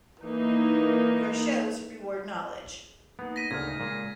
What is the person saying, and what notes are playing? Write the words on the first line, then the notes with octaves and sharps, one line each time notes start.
Your shows reward knowledge.
E3 A#3 D#4
A#3 B3 D#4
A#6 B6 D#7
D2 A#2 C#3 D#4 F6 G#6
A#2 G#3 F4 G#4